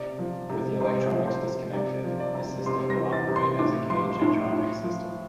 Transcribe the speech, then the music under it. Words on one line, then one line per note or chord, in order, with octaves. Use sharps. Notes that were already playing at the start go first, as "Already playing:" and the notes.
With the electronics disconnected, this system will operate as a K-Jetronic system.
Already playing: C3 D5
F3
C3
C3 C5
F3
C5
C3
C3 D5
F3
D5
C3
C3 C6
A#6
E3
A6
C3
C6
A2 D6
F3 C6
A2 C6
A2
F3